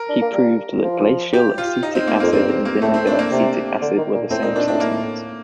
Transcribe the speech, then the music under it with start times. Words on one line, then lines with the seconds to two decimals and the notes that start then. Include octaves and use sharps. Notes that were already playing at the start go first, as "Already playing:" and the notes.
He proved that glacial acetic acid and vinegar acetic acid were the same substance.
Already playing: A#4
0.09 D4
0.22 A#3
0.33 G3
0.84 F3
1.33 G4
1.58 F4
1.83 D#4
1.95 C4
2.07 A#3
2.20 F2 A#3
2.32 G2 C4
2.49 C4
2.65 A#3
2.82 A2 A3
2.94 C4
3.07 D4
3.19 A#3
3.31 C3
3.81 D3
3.98 D#3
4.14 A#2
4.30 A2 C4
4.43 A#2 D#4
4.56 A#2 D4
4.68 A2 D4
4.80 A#3